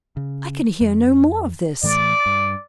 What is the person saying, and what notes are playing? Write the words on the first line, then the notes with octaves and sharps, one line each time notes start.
I can hear no more of this.
C#3
F2
A2 E3 A3 D5
G2